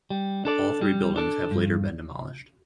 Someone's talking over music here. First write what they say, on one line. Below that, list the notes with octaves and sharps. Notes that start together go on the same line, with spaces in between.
All three buildings have later been demolished.
G3
D4 A4 D5
G3
D4 A4 D5
G2